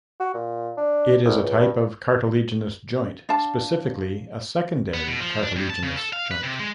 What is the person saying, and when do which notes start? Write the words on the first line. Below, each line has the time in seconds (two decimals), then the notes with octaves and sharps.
It is a type of cartilaginous joint, specifically a secondary cartilaginous joint.
0.20 F#4
0.34 A#2
0.77 D4
1.25 C2
1.43 C#2
1.60 G2
3.29 D4 F5 A5
4.94 B3
5.08 B2
5.20 F3
5.43 D4
5.56 G2
5.70 A5
5.83 C#3
5.97 A4
6.13 F5
6.31 B4
6.43 C3
6.60 G#3